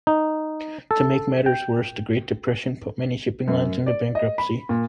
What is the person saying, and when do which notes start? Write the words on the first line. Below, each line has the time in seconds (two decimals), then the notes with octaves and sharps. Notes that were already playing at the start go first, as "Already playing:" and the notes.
To make matters worse, the Great Depression put many shipping lines into bankruptcy.
0.07 D#4
0.91 A4
1.46 G5
3.48 F#2
3.86 D5
4.15 D#5
4.38 B5
4.69 A#2